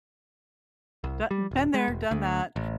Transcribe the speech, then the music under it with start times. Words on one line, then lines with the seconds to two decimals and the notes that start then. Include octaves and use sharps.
Do been there, done that,
1.04 C2
1.31 G3
1.51 D#1
1.74 G#3
1.88 E1
2.11 D2
2.56 A1